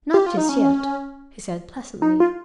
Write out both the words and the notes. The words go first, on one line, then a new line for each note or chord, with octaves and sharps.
"Not just yet," he said pleasantly.
G4
F4
D#4
C#4
D#4
F4